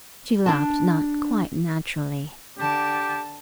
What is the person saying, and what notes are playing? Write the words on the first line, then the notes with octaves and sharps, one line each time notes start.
She laughed, not quite naturally.
D4 A5
D3 G4 A5